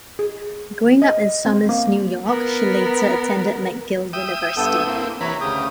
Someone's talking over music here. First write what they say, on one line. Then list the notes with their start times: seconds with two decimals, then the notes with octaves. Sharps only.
Growing up in Somers, New York, she later attended McGill University.
0.19 G#4
1.02 D#5
1.45 C4
1.69 A#3
2.26 B3 A#4
4.13 E5 G5 D#6
4.57 G2 B3 A4
4.87 A#3 C4 E4
5.21 C3 E3 B4 C#5 A#5
5.41 D2 C#3 G4 D#6